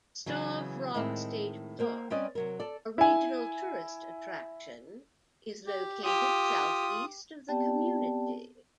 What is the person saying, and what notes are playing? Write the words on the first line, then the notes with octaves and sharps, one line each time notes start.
Starved Rock State Park, a regional tourist attraction, is located south-east of the community.
C#3 E3 F#3
A2 D#3 G#3 C4 E4
A#3 A#4 C5
G3 C4 C#4 B4 D5 D#5
C3 F#3 A#4
A4 D5
E4 G#5
G4
F4 G4 D#6
B3 C4 G4 D5 G5 A5